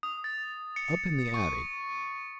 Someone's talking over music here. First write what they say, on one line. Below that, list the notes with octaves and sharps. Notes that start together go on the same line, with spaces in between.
Up in the attic.
D#6
A6
C#7
C#6